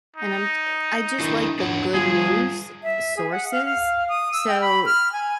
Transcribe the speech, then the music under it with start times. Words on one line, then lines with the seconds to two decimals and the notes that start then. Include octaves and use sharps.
and I'm j eh, I just like the good news sources. So,
0.17 D#4
1.19 D4 E4 A#4
1.59 D4 C#5 F#5
1.94 G3 F4 G#4
2.83 E5
3.17 G#4
3.31 F#5
3.52 F5
3.65 F5
4.09 D#6
4.33 E6
4.48 G5
4.61 B5
4.86 F6
5.13 G#5